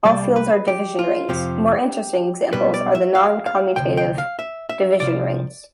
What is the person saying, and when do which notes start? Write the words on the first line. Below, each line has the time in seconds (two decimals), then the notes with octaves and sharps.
All fields are division rings; more interesting examples are the non-commutative division rings.
0.05 C2 B2 G3 D5
0.36 B4
0.68 G4
0.99 F4
1.29 F2 C3 F3 G4
2.53 B1 B2 G3 B4
2.74 D5
2.95 E5
3.15 F5
3.46 F5
3.76 D2 C3 G5
3.97 G5
4.18 F5
4.39 E5
4.69 E5
5.00 C2 C3 F3 D5